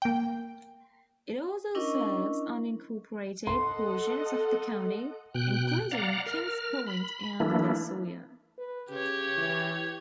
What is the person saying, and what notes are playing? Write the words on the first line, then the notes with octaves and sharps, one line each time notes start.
It also serves unincorporated portions of the county, including Kings Point and Losoya.
A#3 G5
C#4 D4 E4 A#4 D#5 C#6
A4 D#5 F#5 C6
B2 G5 F#6
D5 F5 F#5 A#5
A#4 F6
B5
E3 A3 A#3 D4 E4
B4
C#3 G4 C#5
E3